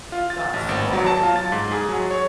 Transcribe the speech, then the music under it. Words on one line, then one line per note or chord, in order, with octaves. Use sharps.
got smart,
F4
A6
A1
G#1
F#3
A5
F4
A6
G#2
G#4
F#3
C#5